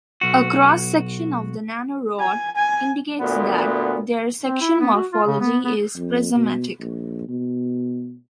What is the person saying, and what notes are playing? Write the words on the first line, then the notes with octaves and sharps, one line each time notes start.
A cross section of the nanorods indicates that their section morphology is prismatic.
B1 F#4
G#5
G#5
D2 A#2 B3
C4
E4
B3
F#4
F4
C#3
B3
B3
F2
B2
A#1
B2